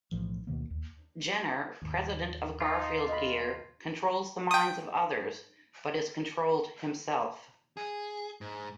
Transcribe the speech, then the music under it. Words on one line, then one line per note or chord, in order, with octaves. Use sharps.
Jenner, president of Garfield Gear, controls the minds of others, but is controlled himself.
B1 A2 E3 F3
D2 B2 D#3 A#3
D#2
D#2 G#2
D#4 F4
B1 D#5 B5
G5 D#6
G#4
G#2